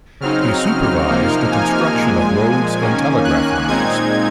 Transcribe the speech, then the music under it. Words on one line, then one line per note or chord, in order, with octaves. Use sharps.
He supervised the construction of roads and telegraph lines.
C#3 F#3 C4 D#4 F6
F6
C3 F3 A#3 D#4
G#5
A#2 F3 G#3
D#3 A#3 C#4
F#6
A#2 G#3 C4 D#4 G#6